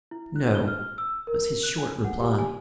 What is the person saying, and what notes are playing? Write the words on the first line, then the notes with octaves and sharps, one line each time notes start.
"No," was his short reply.
E4
F#6
G7
F6
E6
A#4
F#6
G#5
F#5
G4
G#5